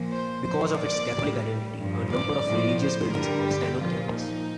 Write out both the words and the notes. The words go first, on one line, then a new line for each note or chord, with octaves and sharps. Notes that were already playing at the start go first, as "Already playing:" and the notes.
Because of its Catholic identity, a number of religious buildings stand on campus.
Already playing: A#2 F3
C5
A#2 F3 C5
D5
A2 G3
G2 F3
D5
A2 F3
C5
G2 D3 G3 A#4
G4
A#2 F3 F4
D#4